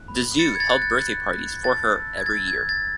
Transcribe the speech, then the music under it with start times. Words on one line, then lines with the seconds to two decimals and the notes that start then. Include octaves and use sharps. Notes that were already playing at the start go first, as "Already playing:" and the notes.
The Zoo held birthday parties for her every year.
Already playing: F#6
0.08 B5
0.39 B5 A6 C#7
0.55 G#6
0.60 A6
0.71 F#6
0.82 A6
1.02 F#6
1.33 F#6
1.64 A5 A6
1.95 E6
2.17 G#6
2.26 E6 A6
2.48 G#6
2.58 E6
2.69 A6